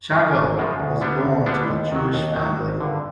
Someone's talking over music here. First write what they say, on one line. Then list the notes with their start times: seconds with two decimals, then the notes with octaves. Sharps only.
Chagall was born to a Jewish family.
0.12 F#2 C#3 F3 G#3
0.35 G#1
0.57 F#2 C#3 F3 G#3
0.80 D2
1.01 D3 G3 B3 D4
1.25 D2
1.46 D3 G3 B3 D4
1.69 D#2
1.92 D#3 F#3
2.14 D#2
2.36 D#3 F#3
2.59 G#1
2.81 G2 D3